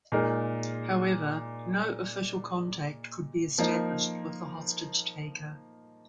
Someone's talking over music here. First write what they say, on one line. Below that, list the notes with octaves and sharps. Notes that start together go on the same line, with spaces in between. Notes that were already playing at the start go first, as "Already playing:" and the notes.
However, no official contact could be established with the hostage taker.
A#2 G#3 D#4 A#4
F3 A#3 D#4